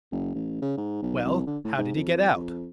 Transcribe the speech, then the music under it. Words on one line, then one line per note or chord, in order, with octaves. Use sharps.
"Well, how did he get out?"
F#1
A1
C#3
G#2
B1
C2
D3
A2
G#2
F2
F2